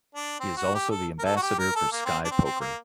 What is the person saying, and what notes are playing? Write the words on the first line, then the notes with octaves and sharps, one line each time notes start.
He is also the Ambassador for Sky Poker.
D4
C4
F#4
G4
A4
A#4
A4
F#4
G4
A#4
A4
A#3
C4
D4
C4
C4
A#3